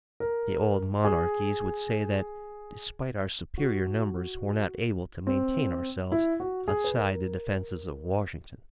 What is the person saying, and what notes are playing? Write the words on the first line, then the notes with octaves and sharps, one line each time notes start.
The old monarchies would say that despite our superior numbers we're not able to maintain ourselves outside the defenses of Washington.
A#4
G#4
F#4
C4
E4
F#4
G#4
B4
A#4